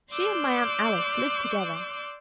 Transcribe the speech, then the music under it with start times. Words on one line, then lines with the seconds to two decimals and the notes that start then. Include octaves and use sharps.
She and my aunt Alice live together.
0.13 D5 C6 D6 E6 F#6 G6